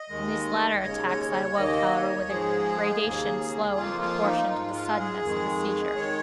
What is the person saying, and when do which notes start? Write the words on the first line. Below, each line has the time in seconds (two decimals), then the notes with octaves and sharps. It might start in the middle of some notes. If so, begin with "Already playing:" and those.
From these latter attacks I awoke, however, with a gradation slow in proportion to the suddenness of the seizure.
Already playing: D#5
0.09 D#2 D#3 G#3
0.82 D#2 C#3 G#3 C#5
1.08 C#5
1.31 C#5
1.56 D#2 D#3 A#3 D#5
1.92 C#5
2.29 G#2 F3 G#3 G#4
3.03 D#2 C#3 A#3
3.76 F2 F3 A#3 F4
4.01 F4
4.24 D#4
4.49 G#2 G#3 F4
4.73 F4
4.98 G#4
5.22 F2 D#3 G#3
5.95 D#3 G#3 C#5